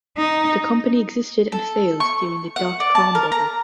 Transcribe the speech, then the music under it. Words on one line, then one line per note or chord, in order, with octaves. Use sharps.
The company existed and failed during the dot com bubble.
D#4
A4
C#6
F#5
D5
A5
A#4
A#5